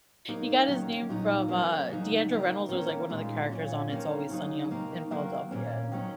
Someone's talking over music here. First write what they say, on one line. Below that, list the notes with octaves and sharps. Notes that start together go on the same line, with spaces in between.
he got his name from, uh Deandra Reynolds was, like, one of the characters on It's Always Sunny o in Philadelphia, and
F#3 A#3 D#4
D#3 F#3 C#4
A#2 F#3 D#4
F#3 A#3 C#4
C#3 F#3 D#4
D#3 A#3 D#4
D#3 A#3 C#4
A#2 G#3 D#4
A#2 F#3 C#4
D#3 A#3 C#4
C#3 F#3 D#4
D#3 A#3 D#4
D#3 F#3 A#3
A#2 A#3 C#4
D#3 F#3 C#4